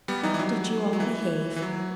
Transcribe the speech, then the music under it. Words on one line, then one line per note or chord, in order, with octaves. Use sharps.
How did you all behave?
G3 B3
E3 G3
E3
F#3
F#3
E3
E3
F#3